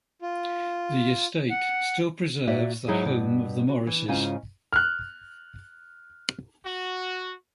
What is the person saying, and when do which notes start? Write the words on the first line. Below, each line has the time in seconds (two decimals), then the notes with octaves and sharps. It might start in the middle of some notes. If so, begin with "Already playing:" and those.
The estate still preserves the home of the Morrises.
0.22 F4
1.50 F#5
2.47 A#2 F#4 D5 E5
2.88 G#2 F#3 D#4 E4 G#4 D#5
3.05 G2 B2
3.69 F#4
3.87 E3
4.08 G#2 C#3 C#4 F4 G#5
4.73 F6 F#6
6.65 F#4